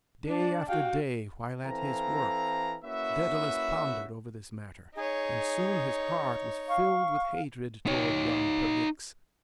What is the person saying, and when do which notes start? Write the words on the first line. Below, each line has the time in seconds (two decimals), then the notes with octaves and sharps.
Day after day, while at his work, Daedalus pondered over this matter, and soon his heart was filled with hatred towards young Perdix.
0.28 D4 D5
0.68 F#4 G4 F5 G5
1.65 E3 C4 A4 F5 A#5
2.84 A#3 C#4 E4 F#4 B4 E5
4.95 D#4 G#4 C#5
6.68 F5 C#6
7.86 D#4 C#5